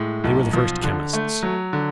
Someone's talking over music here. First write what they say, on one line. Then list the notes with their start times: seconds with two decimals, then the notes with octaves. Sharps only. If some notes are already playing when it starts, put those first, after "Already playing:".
They were the first chemists.
Already playing: A2 G#3
0.24 B1
0.53 F3
0.84 D3
1.13 A3
1.43 F#3
1.73 D3